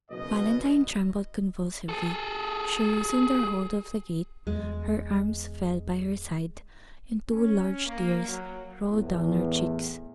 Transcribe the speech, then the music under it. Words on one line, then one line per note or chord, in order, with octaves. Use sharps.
Valentine trembled convulsively; she loosened her hold of the gate, her arms fell by her side, and two large tears rolled down her cheeks.
F#1 B2 D#5
G#4 A4
E2 G#3
C#4
A#3
F#3
E2 A2